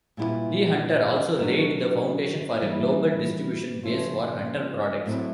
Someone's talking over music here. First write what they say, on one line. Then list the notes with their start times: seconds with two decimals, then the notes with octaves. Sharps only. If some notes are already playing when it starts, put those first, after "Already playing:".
Lee Hunter also laid the foundation for a global distribution base for Hunter products.
0.17 A#2 G3 B3 E4
1.39 B2 F#3 A3 D4 F#4
2.62 E3 G3 A#3 D#4
3.83 C#3 F3 A3 C#4 F4
5.06 A2 F#3 A3 C4 E4